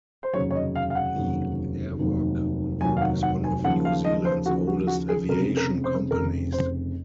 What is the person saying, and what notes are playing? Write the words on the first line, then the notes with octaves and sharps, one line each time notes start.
The Airwork group is one of New Zealand's oldest aviation companies.
C5
F1 D#2 C#3 F#3 C#5
C#5
D#5
F5
F5
F#5
F1 D#2 C#3 F#3
F1 D#2 D#3 F#3
F1 D#2 D#3 F#3 G#5
F5
F#5
F#5
G#5
D#2 C#3 F3 F#5
F5
D#5
C5
D#2 C#3 F3 F#4
F#4
F#4
G#4
F1 F2 C#3 A#4
A#4
C5
F1 F2 C#3 A#4
C5